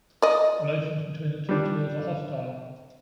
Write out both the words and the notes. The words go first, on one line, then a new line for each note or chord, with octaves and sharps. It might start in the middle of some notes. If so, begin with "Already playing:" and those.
Relations between the two tours are hostile.
D5 D#5
G3 D4